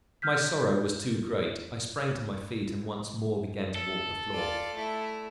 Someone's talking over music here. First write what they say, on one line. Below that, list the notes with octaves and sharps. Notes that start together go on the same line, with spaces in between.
My sorrow was too great; I sprang to my feet and once more began to walk the floor.
F6 G6 B6
A4
F4 D5
A3 E4